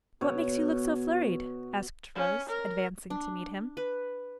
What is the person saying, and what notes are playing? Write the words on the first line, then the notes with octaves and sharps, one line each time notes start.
'What makes you look so flurried?' asked Rose, advancing to meet him.
B2 C#5
C#4
A#4
D4
B4